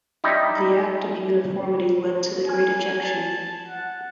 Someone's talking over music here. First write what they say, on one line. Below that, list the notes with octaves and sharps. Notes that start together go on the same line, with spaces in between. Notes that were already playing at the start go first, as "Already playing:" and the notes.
The Act of Uniformity led to the Great Ejection.
G3 D#4 E4
G#5
A5
F#5